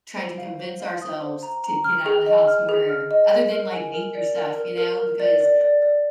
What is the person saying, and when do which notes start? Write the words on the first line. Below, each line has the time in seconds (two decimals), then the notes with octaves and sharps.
trying to convince ourselves to get out of the house more, other than, like, nature stuff, you know, because
0.17 C5
0.38 F5
0.59 C5
0.80 F5
1.02 D#6
1.22 C5
1.43 A#5
1.64 A#5
1.84 F6
2.06 G#4
2.26 D#5
2.47 F6
2.69 G#4
2.89 F6
3.11 D#5
3.31 G#4
3.52 A#4
3.73 G#5
3.94 A#4
4.15 D5
4.36 A#4
4.57 A#4
4.78 A#4
4.99 A#4
5.20 D5
5.40 D5
5.61 D5
5.82 D5